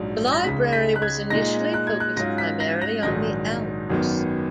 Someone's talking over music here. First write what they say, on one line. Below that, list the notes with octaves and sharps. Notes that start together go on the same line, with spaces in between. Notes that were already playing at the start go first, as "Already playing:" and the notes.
The Library was initially focused primarily on the Alps.
Already playing: A#1 G#2 F#3
A#6
C#2 C#3 G#3 D#4 B6
B6
F#6
G#6
A#2 G#3 D#4 A#6
F#6
G#6
F#6
G#2 F#3 C#4 F4 A#6
B6
A#6
A#6
A#1 G#2 D#3 F#3 A#6
G#1 F#2 D#3 F#3 B3